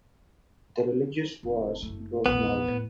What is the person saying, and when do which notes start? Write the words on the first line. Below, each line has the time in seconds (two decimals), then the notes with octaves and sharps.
The religious wars drove him out.
1.43 F1
1.83 F#1 A3
2.26 A#1 E2 B3
2.67 A2